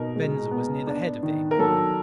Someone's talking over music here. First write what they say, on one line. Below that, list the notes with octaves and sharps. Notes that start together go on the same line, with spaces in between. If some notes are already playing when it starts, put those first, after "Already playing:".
Venza was near the head of the incline.
Already playing: B2 D#4 A#4
G#3
B3
D4
D#3
A#4
F#3 A4